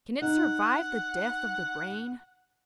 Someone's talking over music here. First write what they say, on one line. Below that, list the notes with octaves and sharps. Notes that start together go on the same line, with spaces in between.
Can it survive the death of the brain?
D#4 F#5